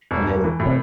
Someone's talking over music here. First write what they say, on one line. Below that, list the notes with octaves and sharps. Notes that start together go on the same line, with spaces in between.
and then it was
E1
E1
E3
A2
C3